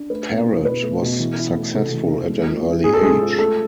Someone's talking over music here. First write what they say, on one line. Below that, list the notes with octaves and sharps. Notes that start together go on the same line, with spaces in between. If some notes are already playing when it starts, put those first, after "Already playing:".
Parrott was successful at an early age.
Already playing: D4
A3 B4
B2
E4
B2 B4
A3
B2
E3
E4
A3
C3 A4
E3
E4
G#3
F4
C4
G#2 G#4
A4
G#3 G#4
F4
A3 A4